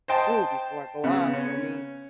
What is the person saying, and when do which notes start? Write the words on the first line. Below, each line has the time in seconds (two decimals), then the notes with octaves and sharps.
"Ooh, before I go off, let me
0.08 C5 D#5 G5 A5
1.04 C#3 B3
1.33 C#4